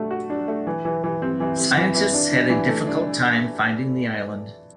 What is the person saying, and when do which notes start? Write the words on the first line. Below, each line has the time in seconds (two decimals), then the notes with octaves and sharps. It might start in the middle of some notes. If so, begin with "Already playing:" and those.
Scientists had a difficult time finding the island.
Already playing: A3 D4 F#4
0.11 F#4
0.30 D4
0.48 A3
0.67 E3
0.85 E3
1.04 E3
1.22 C4
1.40 E3
1.58 C4
1.77 E3
1.95 E3
2.13 D4
2.32 D4
2.50 E3
2.68 A3
2.87 D4